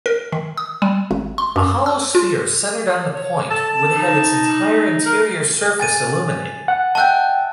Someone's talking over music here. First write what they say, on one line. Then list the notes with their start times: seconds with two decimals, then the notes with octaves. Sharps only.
A hollow sphere centered on the point would have its entire interior surface illuminated.
0.06 A#4
0.32 D#3
0.57 D#6
0.82 G3
1.11 G#1
1.38 C6
1.56 F#2
1.86 E6
2.15 F4
3.15 C#5
3.50 A4 A5
3.97 D#4
5.06 A#4
5.80 G#5 A6 D#7
6.68 F#5
6.95 D#5 E5 G5 A5 F#6